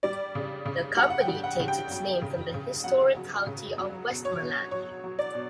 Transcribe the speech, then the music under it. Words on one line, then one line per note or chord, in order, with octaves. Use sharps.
The company takes its name from the historic county of Westmorland.
G3 D5
C#3
C#3
G3 F#5
F#5
G5
G3
F#5
C#3
G5
F#3
C#3
C#3
F#3 F#5
F#3
C#3
F#3
B2
C#5
B2
F#3 C#5
F#3
D5
B2